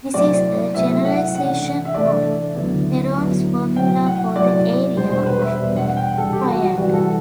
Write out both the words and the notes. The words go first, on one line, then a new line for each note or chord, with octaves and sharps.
This is a generalization of Heron's formula for the area of a triangle.
C3 F#3 A3 C4 E4 D5
C3 F#3 A3 C4 E4 E5
F#5
C3 E3 A3 D4 F#5
E5
C3 E3 A3 D4 D5
D2 D3 F#3 B3 E4
D2 D3 F#3 B3 E4
C3 F#3 A3 E4 G5
F#5
C3 F#3 A3 E4 D5
E2 B2 G3 D4 C5
C5
B4
E5
E2 B2 G3 D4
F#5
G5
C3 E3 G3 A4
G4
F#4
F#4
C3 E3 G3 F#4
A4